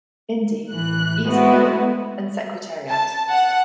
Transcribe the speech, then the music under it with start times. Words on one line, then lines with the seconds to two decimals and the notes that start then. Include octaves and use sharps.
Indy, Easy Goer and Secretariat.
0.71 A1 E3 F#6
1.27 G#3 A3 B3 C4 E4 F#4
2.89 A5
3.32 F#5